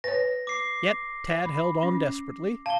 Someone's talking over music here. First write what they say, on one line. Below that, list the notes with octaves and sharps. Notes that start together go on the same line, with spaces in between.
Yet Tad held on desperately.
B4 C#5 A#6
D6 C7
B5
C#4
F5 A5 G7